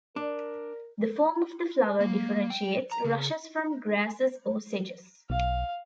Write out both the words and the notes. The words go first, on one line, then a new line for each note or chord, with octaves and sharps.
The form of the flower differentiates rushes from grasses or sedges.
D4 A#4
A#3
G5
A#5
C#3
B1 F5